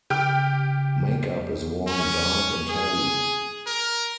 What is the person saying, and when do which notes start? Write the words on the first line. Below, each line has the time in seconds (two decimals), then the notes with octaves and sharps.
Make-up is worn dark and heavy.
0.10 C#3 G4 G5 F6
1.87 C#4
2.69 G#4
3.66 A#4